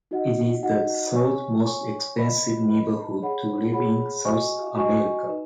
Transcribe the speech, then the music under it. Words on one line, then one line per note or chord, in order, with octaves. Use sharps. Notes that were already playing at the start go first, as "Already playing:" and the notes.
It is the third most expensive neighborhood to live in South America.
D#4 F#4 D#5 F#5
D#4 F#4 D#5 F#5
C#5 G#5 C#6
C#5 G#5 C#6
B4 D#5 B5
B4 D#5 B5
G#4 C#5 F#5 B5
G#4 C#5 F#5 B5
F#4 D#5 G#5 C#6
F#4 D#5 G#5 C#6
D#4 B4